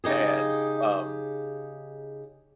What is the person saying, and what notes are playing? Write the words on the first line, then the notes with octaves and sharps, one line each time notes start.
and, um,
C#3 D#4 G4 G#4